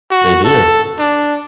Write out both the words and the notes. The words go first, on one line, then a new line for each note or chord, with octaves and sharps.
They do.
F#4
A4
D4